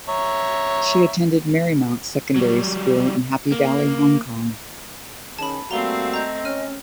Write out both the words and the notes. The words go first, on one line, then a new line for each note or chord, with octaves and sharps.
She attended Marymount Secondary School in Happy Valley, Hong Kong.
C#5 E5 A#5
F#3 G3
A#3
D#3 C#4 G#4 A5 B5
G3 A3 A#3 C4 F#4 F5 A#5 G7
D#5 A#5 G6
C#4 F6 D#7